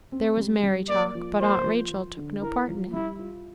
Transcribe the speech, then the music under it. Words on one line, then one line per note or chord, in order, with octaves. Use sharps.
There was merry talk, but Aunt Rachel took no part in it.
C4
G3
G3
A#3 D5
F3
A#3 C5
F3
F3
D3
E4 A#4
F3
G3 E4
F4